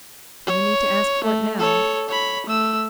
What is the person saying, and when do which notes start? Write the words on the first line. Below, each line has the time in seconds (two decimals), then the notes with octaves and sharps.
No need to ask for it now!
0.47 C#5
1.24 A3
1.59 A4 C#5
2.09 C#5 B5
2.46 A3 E6